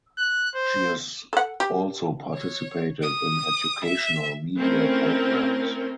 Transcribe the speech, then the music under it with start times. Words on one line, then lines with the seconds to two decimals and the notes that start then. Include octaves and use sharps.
She has also participated in educational media programs.
0.18 F#6
0.55 C5
1.33 A4 F#5
1.60 G4
2.34 C#5
3.02 D#6
3.85 E5
4.58 A3 C4 C#4 E4 A#4